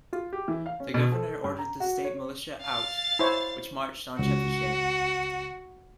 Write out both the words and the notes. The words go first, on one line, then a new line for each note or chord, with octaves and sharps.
The governor ordered the state militia out, which marched on Chepachet.
F4
G4
E3
F5
C#4
B2
A4
G2
A#5
F#4
C#5
F5 A6
E4 C5 C#5
C#2 F#4